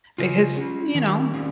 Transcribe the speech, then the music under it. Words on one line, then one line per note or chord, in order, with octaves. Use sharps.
Because, you know,
C#3 F4
C#4
D#3
C#4